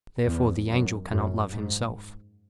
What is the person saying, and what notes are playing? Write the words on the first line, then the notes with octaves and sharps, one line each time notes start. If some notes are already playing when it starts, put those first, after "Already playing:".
Therefore the angel cannot love himself.
E2
F#2
F#2
G#2